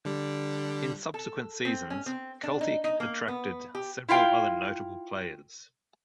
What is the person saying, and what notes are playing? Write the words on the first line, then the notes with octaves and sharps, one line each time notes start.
In subsequent seasons Celtic attracted several other notable players.
D3 G3
A4
C4
C#4
C4
D4
D#4
D#4
A#3
B3
G4
E4 F4 F5 G5